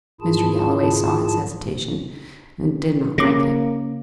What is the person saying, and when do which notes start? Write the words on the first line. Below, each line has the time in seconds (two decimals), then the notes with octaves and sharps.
Mr. Galloway saw his hesitation, and did not like it.
0.21 G#2 D#3 E4 F4 G#4 A5
3.18 C#3 A#3 D6 A#6